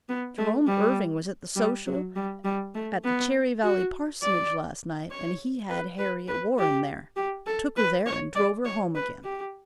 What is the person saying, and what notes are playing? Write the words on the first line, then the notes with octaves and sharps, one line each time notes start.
"Jerome Irving was at the social at the Cherry Valley parsonage last night, and he had Harriet Warren there--took her there, and drove her home again."
B3
A3
G3
G3
F#3
G3
G3
A3
B3
F#4
D5
C#5
B4
B4
B4
G4
G4
A4
B4
C#5
D5
C#5
B4
G4